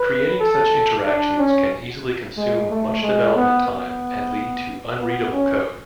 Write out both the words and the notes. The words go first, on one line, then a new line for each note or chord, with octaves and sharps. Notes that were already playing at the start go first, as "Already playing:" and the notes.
Creating such interactions can easily consume much development time and lead to unreadable code.
Already playing: B4
A4
D4
C#4
G#3
A3
G#3
B3
B3
B3
C#4